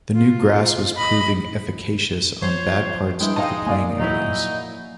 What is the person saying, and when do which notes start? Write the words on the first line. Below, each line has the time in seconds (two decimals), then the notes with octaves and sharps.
The new grass was proving efficacious on bad parts of the playing areas.
0.15 F4
0.98 D#5 B5
2.42 F3 C5 C#5
3.20 G2 G#3 E4 G5
3.36 D#4 D#5 F5 G5 A5
3.67 A#3 D5 F5 G#5
4.00 A#2 F#3 D#4 E4